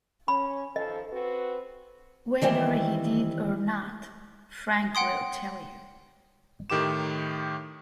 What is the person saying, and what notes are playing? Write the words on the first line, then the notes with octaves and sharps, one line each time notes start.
Whether he did or not, Frank will tell you.
C#4 B5
D#3 F3 A4 D#5
C4 F#4 B4
D#3 E3 G3 C4
F#5 G5 C6 D#6
A2 D#3 G4 D6 E7